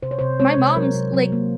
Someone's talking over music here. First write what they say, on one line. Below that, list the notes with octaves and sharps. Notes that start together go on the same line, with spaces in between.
my mom's, like,
C3 C5
C#5
C3 C5
G#3 C#5
C3
F#3 A#4
C3
F#3
A#3